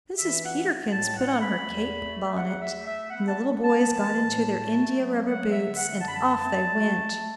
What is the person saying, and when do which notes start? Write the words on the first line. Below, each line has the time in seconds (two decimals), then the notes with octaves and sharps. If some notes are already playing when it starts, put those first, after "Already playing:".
Mrs. Peterkins put on her cape-bonnet, and the little boys got into their india-rubber boots, and off they went.
0.18 E3 E5
0.43 F#5
0.55 A3
0.91 A2 A5
1.15 F#5
1.28 A3
1.40 B5
1.64 E2
2.00 A3
2.36 E2 F#5
2.61 E5
2.73 A3
2.85 E5
3.09 B3 F#5
3.27 A5
3.45 B3
3.64 A5
3.81 E3 A5
4.18 A2
4.55 A3
4.91 F#3
5.27 A3 F#5
5.51 E5
5.63 D3
5.75 F#5
6.00 F#2 A5
6.08 B5
6.16 A5
6.36 A3
6.72 A3
7.09 A3